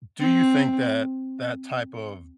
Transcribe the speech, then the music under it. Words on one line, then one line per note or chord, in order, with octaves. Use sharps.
do you think that that type of
C4